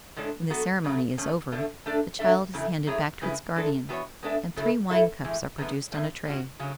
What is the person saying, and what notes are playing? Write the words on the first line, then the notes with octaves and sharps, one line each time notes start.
When this ceremony is over, the child is handed back to its guardian, and three wine-cups are produced on a tray.
A2 G#3 D4 A4 C#5
F#3 B3 F#4 A4
C#3 F#3 A3
E2 B2 A3 C#4
B2 A3 D4
A3 D4 A4 D5
A3 D4 A4 E5
E2 C#3 F#3 A3 E4
F#3 A3 E4 G#4 C#5
C#3 G#3 C#4 E4 B4
E3 G#3 D4 A4
E3 B3 F#4 A4 C#5
G#3 B3 D4 A4 E5
C#3 F#3 A3 E4 A4
A3 E4 A4 E5
A2 E3 G#3
F#2 D3 G#3 B3
E2 D3 A3 C#4
G#3 C#4 F#4
C#3 F#3 C#4